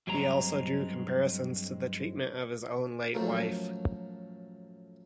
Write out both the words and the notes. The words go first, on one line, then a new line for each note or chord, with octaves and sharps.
He also drew comparisons to the treatment of his own late wife.
G2 F#3 G#3 C4 A#5
F#2 A2 F3 F#3 A3 A#3